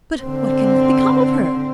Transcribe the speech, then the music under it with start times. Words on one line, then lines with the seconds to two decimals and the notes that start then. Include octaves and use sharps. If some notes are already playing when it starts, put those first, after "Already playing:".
"But what can have become of her?"
0.22 D3 C4